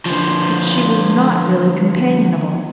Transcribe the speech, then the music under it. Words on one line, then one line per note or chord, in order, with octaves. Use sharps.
But she was not really companionable.
D3 F3